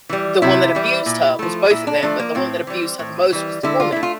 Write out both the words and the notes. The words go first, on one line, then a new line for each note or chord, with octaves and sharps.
the one that abused her was both of them, but the one that abused her the most was the woman,
E3 G3
C3 E4
E3 G3
A#2
F3 A3
A#2 E4
D4
F3 A3 D4
A#3
A2 C4
E3 G3
A2
E3 G3
D3 E4
F4
A3 E4
F4